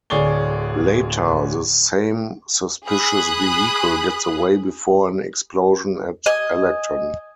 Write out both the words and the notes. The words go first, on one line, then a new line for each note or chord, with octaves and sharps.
Later, the same suspicious vehicle gets away before an explosion at Elekton.
D1 D2 G#4 C#5 D5 G7
G#4 B5 D#6 F#6
D#5 G#5